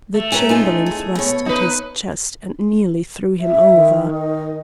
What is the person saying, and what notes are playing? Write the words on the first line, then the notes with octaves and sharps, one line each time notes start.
The Chamberlain thrust at his chest and nearly threw him over.
A3
C#4 B4 A#5
C#4 D#4 F4
G#4
B2 C#5
D#4 B4
E5
D#3
D#5